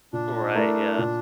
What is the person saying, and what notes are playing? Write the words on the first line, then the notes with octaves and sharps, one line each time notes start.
Right, yeah.
A#2 D4
A3 E4 A#4 D5
A#2